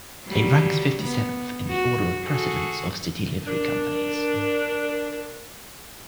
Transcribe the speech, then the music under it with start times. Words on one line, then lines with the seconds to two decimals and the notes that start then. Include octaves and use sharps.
It ranks fifty-seventh in the order of precedence of City Livery Companies.
0.25 F#3 G3
1.03 B3
1.69 F#4
2.26 F#4 G#4 A4
3.47 D4 A#4